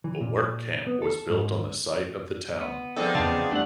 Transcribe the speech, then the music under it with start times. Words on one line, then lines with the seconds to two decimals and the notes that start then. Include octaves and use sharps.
A work camp was built on the site of the town.
0.04 E3
0.21 A#2
0.87 B3
1.02 A4
1.30 G#2
2.61 B3
2.96 F3 G#3 B3 C4 D#4 A4 D5
3.15 E2 C#3 D4 F5 A5
3.51 E2 G3 A3 D4 F#5